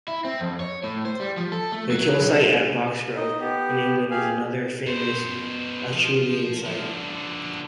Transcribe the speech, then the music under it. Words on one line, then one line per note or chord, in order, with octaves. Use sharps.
The kill site at Boxgrove in England is another famous Acheulean site.
E4
C4
F2
C#5
A2
C5
G3
F3
A4
A3
F#3
B1
D#4 D#5
B3 G4
G4 G#4 F5 G#5
B2 C5
F3
D3 F3